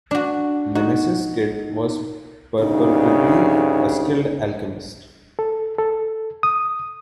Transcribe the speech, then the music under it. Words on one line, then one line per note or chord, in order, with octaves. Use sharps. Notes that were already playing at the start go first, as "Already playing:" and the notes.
Nemesis Kid was purportedly a skilled alchemist.
D4 F#4
D#4 F#4
D2 G2 C#3 D#4
A4
A4
D#6